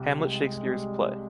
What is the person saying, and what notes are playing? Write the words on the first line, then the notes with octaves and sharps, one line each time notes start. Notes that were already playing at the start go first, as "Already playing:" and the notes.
Hamlet Shakespeare's play.
Already playing: C2 C3
C2 G#3
G3